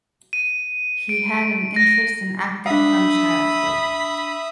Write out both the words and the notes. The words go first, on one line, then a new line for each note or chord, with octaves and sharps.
He had an interest in acting from childhood.
D#7
D7
A#6
D4 E5 F5 B5 D#6